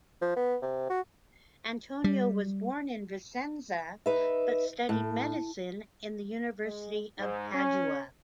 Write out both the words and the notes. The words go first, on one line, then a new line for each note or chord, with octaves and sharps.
Antonio was born in Vicenza but studied medicine in the University of Padua.
F3
B3
C3
F#4
G3
D#4 B4 E5
A2
G#3
G#2
C#4